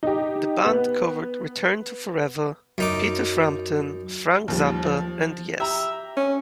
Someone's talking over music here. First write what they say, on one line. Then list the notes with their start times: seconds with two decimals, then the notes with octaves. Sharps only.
The band covered Return to Forever, Peter Frampton, Frank Zappa and Yes.
0.03 D#4 G4
0.65 B3
2.78 F#2 D#4 D6
4.48 D#2 F3 G3
4.83 F3
5.60 G4 E5 A#5
6.17 C#4